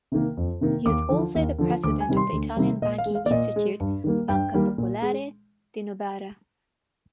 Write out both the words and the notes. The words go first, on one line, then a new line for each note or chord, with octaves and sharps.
He was also the president of the Italian banking institute Banca Popolare di Novara.
C3 D#3 A#3
F2
C3 D#3 A#3
D#2 D6
D3 F3
D#2
D3 F3
D2 D6
G#5
C3 D#3 G3
C6
D2
C3 D#3 G3
A#2 D#5
F5
G#3
F5
D5
A#2 D#5
G#3
G2
D#3 G3 A#3
G2 G5
D#3 G3 A#3
A#2
G#3